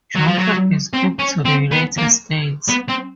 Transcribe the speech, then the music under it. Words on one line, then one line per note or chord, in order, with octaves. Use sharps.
Joshua escaped to the United States.
F#3
F3
F#3
C4
C#4
C4
B3
A#3
B3
C4